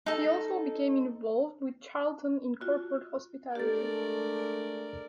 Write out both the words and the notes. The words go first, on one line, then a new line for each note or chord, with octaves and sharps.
He also became involved with Charlton in corporate hospitality.
D#4 A4
F4 F#4
G#3 A3 D4 G4 A4 A#4 D5